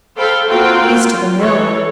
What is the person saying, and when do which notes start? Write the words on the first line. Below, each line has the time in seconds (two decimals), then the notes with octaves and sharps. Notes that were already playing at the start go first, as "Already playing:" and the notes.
"He's to the mill."
0.16 A4 C5 F5 G5 B5
0.48 A#3 C4 F4 F#4 F5 G5
1.00 F4
1.38 E3 A4 C#5